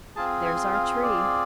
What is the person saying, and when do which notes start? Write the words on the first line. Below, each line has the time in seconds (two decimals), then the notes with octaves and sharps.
"There's our tree."
0.16 C4 F4 G#4 A5
0.45 G#5
0.74 F5
1.03 D5